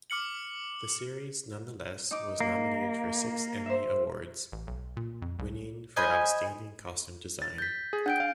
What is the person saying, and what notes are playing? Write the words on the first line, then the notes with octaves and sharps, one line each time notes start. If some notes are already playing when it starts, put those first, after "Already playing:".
The series nonetheless was nominated for six Emmy Awards, winning for Outstanding Costume Design.
D6 F6 C#7 F#7
D#4 D6
A#3
C5 E5
A1
B1
A#2
F2
C2
C5 D#5 G#5 B5
A6
G6 B6
G#4
D4 F#5 G5 G6 D7
F5